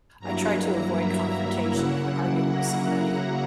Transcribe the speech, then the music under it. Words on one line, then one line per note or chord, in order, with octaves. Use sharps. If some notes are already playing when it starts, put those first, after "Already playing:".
I try to avoid confrontation and arguing with somebody
G2 F#3 A#3 E4 A#5
E5
C#3 F#3 A#3 E4 F#5
A#5